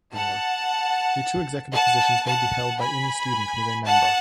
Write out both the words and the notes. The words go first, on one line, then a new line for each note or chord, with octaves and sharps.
The two executive positions may be held by any student who is a member.
F#5 A5
F#5 A5
F#5 A5
G#5 B5
F#5 A5